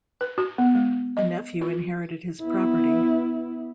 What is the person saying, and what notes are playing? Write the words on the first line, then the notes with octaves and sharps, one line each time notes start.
A nephew inherited his property.
B4
F#4
B3
G#3
D#5
F4
B3 E4